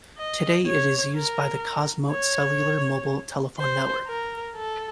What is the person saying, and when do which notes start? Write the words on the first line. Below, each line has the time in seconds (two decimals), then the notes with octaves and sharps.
Today it is used by the Cosmote cellular mobile telephone network.
0.18 D#5
0.67 C#5
1.15 A#4
2.11 C#5
3.59 C5
4.07 A#4
4.56 A4